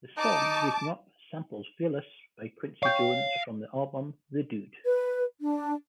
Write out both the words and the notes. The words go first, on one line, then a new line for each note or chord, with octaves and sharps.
The song "Waking Up" samples "Velas" by Quincy Jones, from the album "The Dude".
D#4 A5 D6
C#5 F5 G5
B4
D4